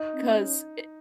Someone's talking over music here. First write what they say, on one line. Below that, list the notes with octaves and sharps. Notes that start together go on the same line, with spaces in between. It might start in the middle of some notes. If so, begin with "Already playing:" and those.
'cause, eh,
Already playing: D#4
C4
C#4
C4
C#4